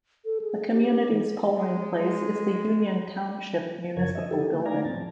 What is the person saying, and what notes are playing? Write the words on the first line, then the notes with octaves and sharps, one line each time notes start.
The community's polling place is the Union Township Municipal Building.
A4
G#4
G4
E3
G#3
G#3
F#2 C#3 F#3 A#4 C#5 G#6
D#5 E5
E4 G4 A4
D3 A#3
A3 D#4 D5 F5 G#5 A#5
A2 E3 F3 C4 A5